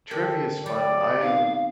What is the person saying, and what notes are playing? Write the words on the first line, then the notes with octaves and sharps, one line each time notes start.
Trivia's fun. I, um
D3 G4 A4 A#4
F#3 G3 G4 D5
B3 C4 D#4 F5